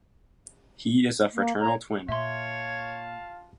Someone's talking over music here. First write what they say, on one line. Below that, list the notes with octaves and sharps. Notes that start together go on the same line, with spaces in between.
He is a fraternal twin.
A#3
C#5 A#5
A#2 F4 C#5 E5 F5 A5 C6